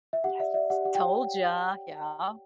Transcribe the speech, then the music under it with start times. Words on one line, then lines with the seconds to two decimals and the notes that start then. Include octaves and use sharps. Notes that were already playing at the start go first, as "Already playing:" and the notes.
Yes. "Told ya." Yeah.
0.13 E5
0.24 G4 F#5
0.39 D5 E5
0.54 D5 E5
0.70 G4 F#5
0.85 G4 F#5
0.95 G5
1.00 C#5